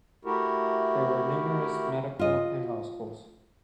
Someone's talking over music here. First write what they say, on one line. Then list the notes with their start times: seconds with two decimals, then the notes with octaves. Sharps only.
There were numerous medical and law schools.
0.25 A3 E4 F#4 G4 A#4
2.19 F4 D#5